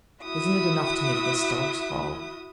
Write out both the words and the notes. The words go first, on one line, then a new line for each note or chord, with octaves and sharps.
Isn't it enough to make the stars fall!
E4 F#4 E5 D#6